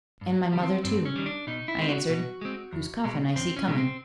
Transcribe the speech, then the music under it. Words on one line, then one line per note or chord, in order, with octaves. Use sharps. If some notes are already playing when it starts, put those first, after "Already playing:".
"And my mother, too," I answered, "whose coffin I see coming."
G2
D#3 G3
C4
G2 C4
C#4
D#3 G3
D4
B2 D#4
E4
G#3 C4
F#4
B2
G#3 C4
E2
B2 G#3
E2 C4
C#4
B2 G#3
C4